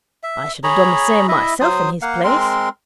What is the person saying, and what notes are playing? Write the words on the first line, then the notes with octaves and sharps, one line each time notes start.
I should have done the same myself in his place.'
E5
G#4 C#5 A#5 B5
E4 D#5 E5
F#3 C5 D#6
A#3 F5 F#5
G#3 C4 A#4 C6